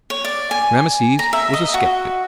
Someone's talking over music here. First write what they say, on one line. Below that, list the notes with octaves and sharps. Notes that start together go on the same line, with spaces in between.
Rameses was a sceptic.
C#5
D5
G#5
A#5
E5
D#5
F#4